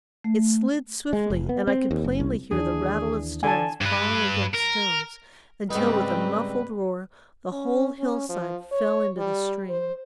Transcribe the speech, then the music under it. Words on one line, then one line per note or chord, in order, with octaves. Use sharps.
It slid swiftly, and I could plainly hear the rattle of stones falling against stones, until with a muffled roar the whole hillside fell into the stream.
A3
G#3
F1
B3
C4
D#2
F#1
C2
D#2 E3 D4 G#4
D3 G#5 A5
G2 B4
A#4
C#2 G#2 G3 C4 D#4 B4
C#4
C#4
F3
C#5
G3
C5